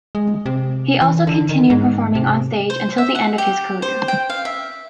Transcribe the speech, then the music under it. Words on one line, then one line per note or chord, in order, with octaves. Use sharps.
He also continued performing on stage until the end of his career.
G#3
C3
E3
D3
D#3
G#2
C3
C5
E5
F#5
G4
C5
G5
F5
E5